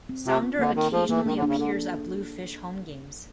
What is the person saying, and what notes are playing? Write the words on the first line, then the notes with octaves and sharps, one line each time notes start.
Sounder occasionally appears at Bluefish home games.
C4
C3 F4
C4
D3 A#3
D#3 D#4
F3 G#4
E3 A#3
D#3 D4
D3
D4
C#3
D3 A4